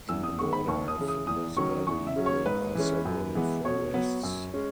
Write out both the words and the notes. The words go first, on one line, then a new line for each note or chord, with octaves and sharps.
In the border of this valley there are several forests.
E2 E6
D#6
D#3 G#3 B3 C#6
B5
D#2 C#6
D#6
C#3 E3
D#6
E2 D#6
D#3 F#3 C#4 C#6
E2 C#6
E5
C#3 F#3 C#4
C#5
G#2 B4
E3 G#3 C#4
F#2
E3 G#3 B3
B2 C#5
F#3 B3
F#2
G#3 C#4